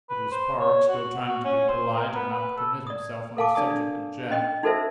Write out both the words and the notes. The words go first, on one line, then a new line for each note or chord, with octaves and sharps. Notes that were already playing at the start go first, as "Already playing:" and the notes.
It was Park, still trying to be polite and not commit himself on the subject of Jack.
B4
C5
C#5
F#4
F#4
C#4
C5
A#4
B3
B4
A4
D5 D#6
A4 A#4 F5 G#5 A5 D6
D4 D5 G#5 A5 D#6
D4
C#4 D#5 G5
D#4 F#4 A4 A#4 C5 E5